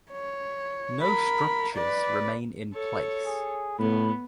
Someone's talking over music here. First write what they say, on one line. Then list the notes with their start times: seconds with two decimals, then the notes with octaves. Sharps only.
No structures remain in place.
0.11 C#5
1.02 A#4 B5
1.74 B4 D5
2.73 A4 C#5
3.26 G#4
3.79 A2 B3 B5